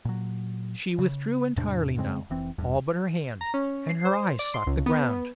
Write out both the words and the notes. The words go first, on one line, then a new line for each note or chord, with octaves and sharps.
She withdrew entirely now, all but her hand, and her eyes sought the ground.
A#2 F#3
C#3
E2 A2 C3 D4
F2 C#3 G#3 C4
F1 E3 C4
E1 E2 G2
A#5
C#4
C7
C5
D5
C6
C#2
B3